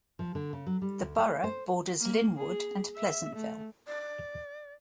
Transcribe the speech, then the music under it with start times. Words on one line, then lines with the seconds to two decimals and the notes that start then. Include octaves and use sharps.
The borough borders Linwood and Pleasantville.
0.19 F3
0.35 D3
0.53 C#3
0.66 F#3
0.82 G3
1.02 D2
1.18 A3
1.44 C5
2.00 A#3
2.37 G#4
2.95 E5
3.34 A3
3.87 D5